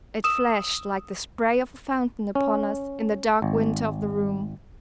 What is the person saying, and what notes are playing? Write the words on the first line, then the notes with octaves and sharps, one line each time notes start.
It flashed, like the spray of a fountain upon us, in the dark winter of the room.
D#6 E6 E7
C#4
G#1